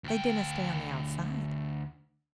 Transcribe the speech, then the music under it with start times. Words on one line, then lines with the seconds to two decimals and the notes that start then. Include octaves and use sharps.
They dinna stay on the outside.
0.04 D2 G5